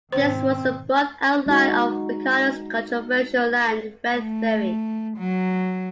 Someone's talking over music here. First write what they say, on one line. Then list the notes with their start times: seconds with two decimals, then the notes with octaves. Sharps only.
This was the broad outline of Ricardo's controversial land rent theory.
0.12 G#2 B2 D#3 C4 C5
1.46 G#3 D#4 F#4
4.18 A3
5.18 F#3